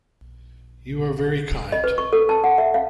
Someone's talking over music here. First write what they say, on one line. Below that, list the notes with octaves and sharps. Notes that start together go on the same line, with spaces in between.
You are very kind.
D#5
B4
C#6
A4
A5
F#5
E5
F5